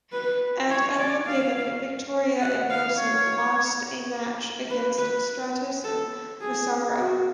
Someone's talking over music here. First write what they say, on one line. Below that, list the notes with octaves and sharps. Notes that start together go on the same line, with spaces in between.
At Unforgiven, Victoria and Wilson lost a match against Stratus and Massaro.
B4
C#5
D5
F5
F#5
F5
C#5
B4
B4
A4
G#4
F#4